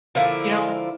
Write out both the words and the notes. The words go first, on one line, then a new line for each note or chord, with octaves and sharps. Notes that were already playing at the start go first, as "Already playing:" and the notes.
you don't
D3 F3 A#3 E4